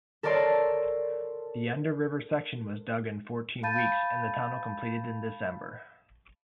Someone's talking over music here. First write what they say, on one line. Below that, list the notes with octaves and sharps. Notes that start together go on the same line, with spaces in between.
The under-river section was dug in fourteen weeks and the tunnel completed in December.
A4 A#4 C#5 D5 A5 C6
F5 A5 B5 G6 A6 D#7